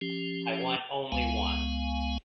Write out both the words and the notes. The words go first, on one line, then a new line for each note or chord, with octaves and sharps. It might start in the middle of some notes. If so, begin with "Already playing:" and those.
I want only one.
F3 C#4 G4
C#2 G#3 B3 F5 G#5